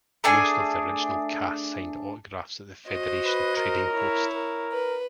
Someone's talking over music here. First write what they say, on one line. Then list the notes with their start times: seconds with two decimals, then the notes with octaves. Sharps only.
Most of the original cast signed autographs at the Federation Trading Post.
0.24 A3 D4 G#4 G#5
2.88 F#4 C5 D#5
3.25 B4
3.57 A#4
3.90 E4 C#5
4.35 A#4
4.73 B4